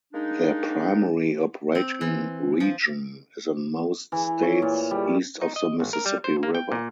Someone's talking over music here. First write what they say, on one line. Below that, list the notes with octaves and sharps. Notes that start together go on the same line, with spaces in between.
Their primary operating region is in most states east of the Mississippi River.
G#3 A#3 D4 D#4
C4
E3
F3
E3
C#5
A#2
G3
D#4
D#5
G#1
A#4
G3
C5
A#3
G5
A#2